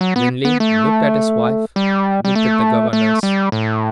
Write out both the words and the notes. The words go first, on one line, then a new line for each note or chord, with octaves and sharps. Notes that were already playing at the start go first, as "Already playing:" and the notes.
Linley looked at his wife, looked at the governess.
F#3
B3
B3
A3
G3
G3
A3
A3
G3
A2